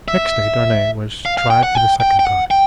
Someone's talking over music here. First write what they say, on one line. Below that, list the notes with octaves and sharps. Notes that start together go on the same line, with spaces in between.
Next day Darnay was tried for the second time.
E5
F5
F5
G5
F#5
G5
G5
G5
F#5
G5